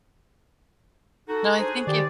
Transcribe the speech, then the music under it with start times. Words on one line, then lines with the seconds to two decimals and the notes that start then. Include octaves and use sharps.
No. I think if
1.28 D#4 F#4 A4
1.58 D4 D#4 G#4 C5
1.87 D#3 G4 D5